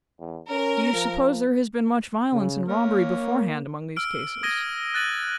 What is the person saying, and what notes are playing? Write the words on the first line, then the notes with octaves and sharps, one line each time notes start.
'Do you suppose there has been much violence and robbery, beforehand, among these cases?'
E2
C#4 A#4
F3
C#3
A#3 A#4 C#5
E6 F6 D7
D#6 G#6 A#6 D#7 G7
F#6 A6 D#7 F#7